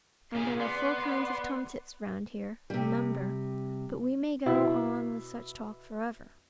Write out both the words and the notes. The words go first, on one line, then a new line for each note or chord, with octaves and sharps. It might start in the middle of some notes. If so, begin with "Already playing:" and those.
And there are four kinds of tomtits round here, remember: but we may go on with such talk for ever.
A#2 C#4 G#4
B3 D5 C6
C3 G3
B2 E4